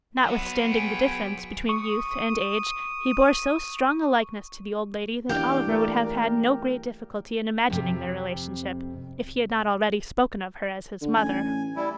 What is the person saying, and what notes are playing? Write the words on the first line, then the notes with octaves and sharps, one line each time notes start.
Notwithstanding the difference between youth and age, he bore so strong a likeness to the old lady, that Oliver would have had no great difficulty in imagining their relationship, if he had not already spoken of her as his mother.
F#3 B3
G#4 G5
C#6 D#6
E3 A#3 D4 G4 F5 G5
A3 A#4 D5
A#4
F2 C3
D3
A1 G#5
G3 E4